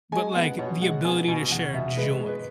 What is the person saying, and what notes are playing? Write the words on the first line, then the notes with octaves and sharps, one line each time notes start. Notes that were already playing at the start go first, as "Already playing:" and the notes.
but like, the ability to share joy.
G#3 G#5
B3 F#5
B2 C#5
G#3 F#5
B3 G#5
B2 G#5
E2 F#5
B2 E5
G#3 B4
G#3
B4